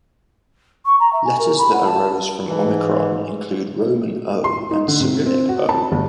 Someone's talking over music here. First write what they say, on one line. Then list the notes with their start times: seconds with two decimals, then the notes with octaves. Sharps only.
Letters that arose from omicron include Roman O and Cyrillic O.
0.85 C#6
0.99 A#5
1.12 E5
1.25 G#5
1.39 A#4
1.58 B5
1.73 F#5
1.85 A5
2.48 G#2 E3
4.44 C6
4.71 D#4
4.88 D3
5.00 C3
5.26 C4
5.49 F#4
5.69 A5
5.92 G1